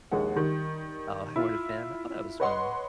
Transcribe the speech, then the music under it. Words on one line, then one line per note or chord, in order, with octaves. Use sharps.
Uh, you weren’t a fan oh, that was fun.
A#1 D#2 G#3 F#5
D#3 G3
E4 F4
B4 C#5 D#5 F#5 C6